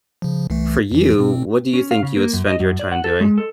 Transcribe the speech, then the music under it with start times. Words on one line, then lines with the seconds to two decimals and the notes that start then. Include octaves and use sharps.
for you, what do you think you would spend your time doing?
0.22 C#3 F3
0.50 C2 E3 A3
0.92 F2 E3
1.18 B2 C4
1.74 C#4
1.91 F5
2.03 C#3
2.17 A#3
2.33 F#2
2.47 D#5
2.60 F#2
2.79 D5
2.92 F#5
3.04 A4
3.21 G#3
3.38 A4